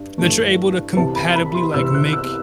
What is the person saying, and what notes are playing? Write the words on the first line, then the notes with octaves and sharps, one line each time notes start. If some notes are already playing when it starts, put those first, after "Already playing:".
that you're able to compatibly, like, make
Already playing: G2
G2 E3 A3
C2 C3 E3 A5
B5
B5
C6
C2 C3 E3 E6
F#6
E6